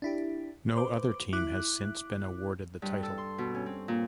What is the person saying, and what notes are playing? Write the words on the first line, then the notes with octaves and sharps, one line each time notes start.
No other team has since been awarded the title.
D4 E4 G4
B4 C5 D6
E4 D6 F#6
G2
A4
C6
B2
C#4
C4
A#2